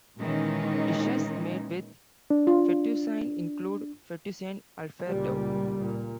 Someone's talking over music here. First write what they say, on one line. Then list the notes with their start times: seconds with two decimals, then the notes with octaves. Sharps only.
Dishes made with fettuccine include Fettuccine Alfredo.
0.18 A#2 D#3 E3 G#3 C#4 D#4
2.30 D4
2.47 F4
5.05 C#2 A#2 G3
5.80 A#2